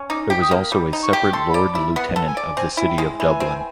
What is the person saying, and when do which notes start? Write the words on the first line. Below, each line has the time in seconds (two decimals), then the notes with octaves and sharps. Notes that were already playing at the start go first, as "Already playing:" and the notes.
There was also a separate Lord Lieutenant of the City of Dublin.
Already playing: C#4
0.10 D#4 D6
0.30 G4
0.41 D#6
0.51 A#3
0.72 G3 D6
0.93 D#4
1.03 C#6
1.13 G4
1.33 A4 C6
1.49 B5
1.54 D5
1.65 B5
1.75 E4 B5
1.95 B3 F#5
2.16 A4
2.27 G#5
2.37 D5
2.57 C4 G#5
2.77 E4
2.89 G5
2.98 G#3
3.19 E3 G#5
3.40 C4